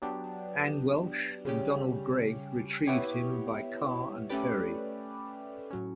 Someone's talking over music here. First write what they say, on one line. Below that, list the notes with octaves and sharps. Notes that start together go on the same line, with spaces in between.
Ann Welch and Donald Greig retrieved him by car and ferry.
F#3 B3 D4 G4
C#3 G3 C#4 G4
B3 E4 G4 C#5
A3 C#4 G4 B4 D5
A2 F#3 C#4